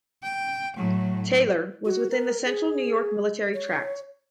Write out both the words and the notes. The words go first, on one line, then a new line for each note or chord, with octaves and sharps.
Taylor was within the Central New York Military Tract.
G5
A2 F#3
F#4
A#4
G#4
C#5